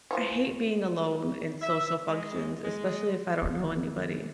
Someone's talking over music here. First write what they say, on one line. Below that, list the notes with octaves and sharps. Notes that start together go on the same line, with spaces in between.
I hate being alone in social functions, especially if I don't know anybody.
E3 F3 C#4
E5
G#3
G#3
D#3 A#3